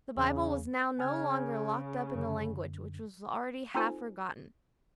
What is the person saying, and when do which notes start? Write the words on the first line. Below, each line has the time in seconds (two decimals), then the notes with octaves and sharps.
The Bible was now no longer locked up in a language which was already half-forgotten.
0.17 E2 C#3
0.99 C#3 G#5 F6 G#6
2.14 F#2 D3
3.75 C4 D#4 F4 A4 C5 G#5